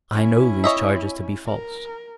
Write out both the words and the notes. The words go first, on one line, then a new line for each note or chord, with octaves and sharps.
I know these charges to be false.
C#4 E4
C#5 D#5 E5
A#4